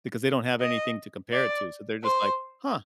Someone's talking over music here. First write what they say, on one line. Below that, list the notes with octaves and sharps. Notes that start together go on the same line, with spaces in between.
because they don't have anything to compare it to, so they're just, like, "Huh."
D#5
D5
C5